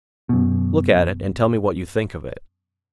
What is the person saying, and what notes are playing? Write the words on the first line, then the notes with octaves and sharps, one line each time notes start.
"Look at it, and tell me what you think of it."
F#2 B2